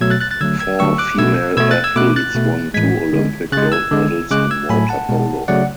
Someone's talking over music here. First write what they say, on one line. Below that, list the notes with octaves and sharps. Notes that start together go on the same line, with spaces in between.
Four female athletes won two Olympic gold medals in water polo.
B2 F#3 A3 E6 G#6
F#6 A6
F#6 A6
F#6 A6
D3 F#3 A3 E6 G#6
E6 G#6
D3 F#3 A3 C#6 E6
D6 F#6
B2 A3 E6 G#6
B2 A3 E6 G#6
F#6 A6
E6 G#6
B2 A3 D6 F#6
F#6 A6
B2 A3
A2 E3 G#3 G#6 B6
D3 G#3
C#3 G#3 F#6 A6
E6 G#6
D3 G#3
C#3 G#3 D6 F#6
E6 G#6
A2 F#3 A3 G#5 B5
F#5 A5
B2 G#3
C#3 F#3 A3 D5 F#5